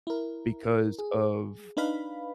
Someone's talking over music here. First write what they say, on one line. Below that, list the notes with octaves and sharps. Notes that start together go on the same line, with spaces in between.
because of,
E4 A#4
G#4
D4 D#4 B4 F5 B5